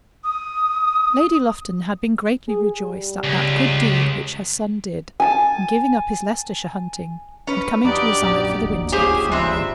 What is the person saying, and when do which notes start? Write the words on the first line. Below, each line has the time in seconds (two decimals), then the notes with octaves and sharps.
Lady Lufton had been greatly rejoiced at that good deed which her son did in giving up his Leicestershire hunting, and coming to reside for the winter at Framley.
0.23 D#6
2.48 G#4
2.82 G3
3.24 C#2
5.20 G#5 A5
7.47 C#4 B4
7.84 F2 D4 D#4 F#4 G4 D5
8.22 A#1 F#2
8.61 D1 G1 D#2
8.92 F4 G4 G#4 C5 C#5 G#5
9.32 C3 G3 G#3 C4 E5